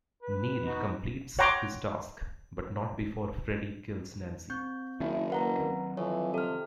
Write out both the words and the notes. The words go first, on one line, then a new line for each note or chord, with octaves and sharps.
Neil completes his task, but not before Freddy kills Nancy.
B4
B3 D#4 F#4
C#5 F#5 G5 A#5 C6 D6
C4 G6
F#1 D#3 E4
A#3 B4 F#5 A#5
D#3 F#3 C4
F2 E3 C#5
C3 A4 F6